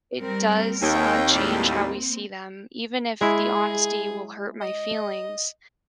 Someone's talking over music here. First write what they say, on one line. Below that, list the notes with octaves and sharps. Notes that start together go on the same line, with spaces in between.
it does, uh, change how we see them. Even if the honesty will hurt my feelings,
G3 C4 A#4
D#2 A#3 C4 C#5 D#5 G5
A2 F#3 G3
G#3 E4 G#4
D#5